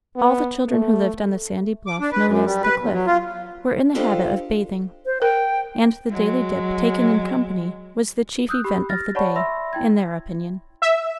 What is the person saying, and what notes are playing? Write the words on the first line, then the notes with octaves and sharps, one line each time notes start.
All the children who lived on the sandy bluff known as "The Cliff" were in the habit of bathing; and the daily dip taken in company was the chief event of the day, in their opinion.
B3
A3
D6
D4
B4
F#2
G3
B4
E2
F#3
F4
D4 D#4 F4 G4 A4 C5
C5
A#4 G5
F#3 G#3
D#6 E6 F#6 G6
G4 B5
F6 A6 A#6
C#5 D5 F#5 A5 B5 C#6
E5 B5 C6 E6 A#6
E4 G5 G#6
E5